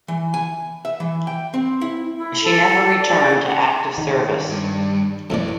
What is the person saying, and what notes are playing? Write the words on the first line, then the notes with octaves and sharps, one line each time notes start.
She never returned to active service.
E3
G#5
E5
E3
G5
C4
E4
E4
A4
D5
F#5
A#5
D#3
G2
F2 A2 B4 D5 A5